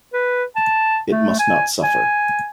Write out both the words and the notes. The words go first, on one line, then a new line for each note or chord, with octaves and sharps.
It must not suffer.
B4
A5
A3
G#5
G#5